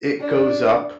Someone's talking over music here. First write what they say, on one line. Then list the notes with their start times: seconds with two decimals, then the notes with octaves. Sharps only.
It goes up
0.20 D4